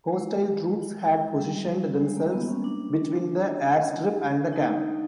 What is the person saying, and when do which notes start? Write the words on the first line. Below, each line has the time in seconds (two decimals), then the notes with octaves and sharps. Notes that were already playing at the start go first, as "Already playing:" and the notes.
Hostile troops had positioned themselves between the airstrip and the camp.
0.13 G#3
1.38 G3
2.01 G#3
2.17 A#3
2.32 B3
2.48 C#4
2.64 D4
4.53 D#4